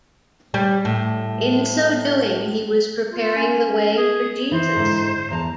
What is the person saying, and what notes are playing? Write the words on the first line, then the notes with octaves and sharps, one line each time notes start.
In so doing he was preparing the way for Jesus.
G3
A2
F4
C#4
G#4
E3 C5
G#2 D3
E2 A5 A#5